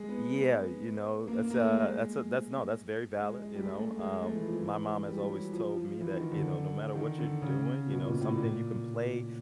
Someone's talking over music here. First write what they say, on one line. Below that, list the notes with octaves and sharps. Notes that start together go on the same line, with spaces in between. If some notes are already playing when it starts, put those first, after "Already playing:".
Yeah, you know, that's, a that's a that's No, that's very valid, you know. Um, my mom has always told me that, you know, no matter what you're doing, you know, something you can play,
Already playing: G#3
B3
A#3
A#3
A#3
A3
G#3
G#3
G#3
G3
G#3
A3
A3
G#3
A3
E3
F3
E3
G#3
G3
G3
F#3
F3
F3
E3
D#3
D3
D#3
D3
C#3
B2
A#2
A2
A#2